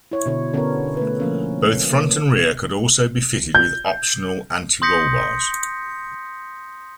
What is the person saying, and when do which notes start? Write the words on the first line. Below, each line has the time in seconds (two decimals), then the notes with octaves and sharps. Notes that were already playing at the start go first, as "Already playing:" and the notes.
Both front and rear could also be fitted with optional anti-roll bars.
0.11 E4 C#5
0.26 B2 D3 C#5
0.53 D3 B3 C#4 D4 A#4 C#5
0.97 A3 B4
1.20 F3 A#3 C#4
1.91 A#3
3.55 G6
4.82 C6 D#6 G6 A#6 B6 C#7